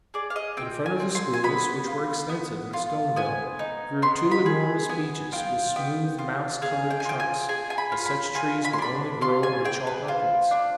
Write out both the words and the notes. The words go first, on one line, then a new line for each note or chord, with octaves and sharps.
In front of the schools, which were extensive and stone-built, grew two enormous beeches with smooth mouse-coloured trunks, as such trees will only grow on chalk uplands.
G#4 D5
F5
D#5
C4 G5
G#5
C4
C6
G#5
B3 B5
F4
B3
F4
B3 G#5
D#4
B3 C6
B5
G#4
B3 G#5
F4 G5
B3 G5
F4
G#4 F5
G5
G#5
F4 G5
G#5
G#4 G#5
G#5
B5
F4
B5
F4 G#5
B5
C6
D4 B5
F4 C6
G#5
G#4 G5
B4
F4 C5
D4